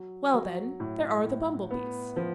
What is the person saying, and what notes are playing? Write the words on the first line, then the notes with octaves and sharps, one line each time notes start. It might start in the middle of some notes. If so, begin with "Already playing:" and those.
"Well, then, there are the Bumble-Bees."
Already playing: F#3
F#3
A2
A2
B3
F3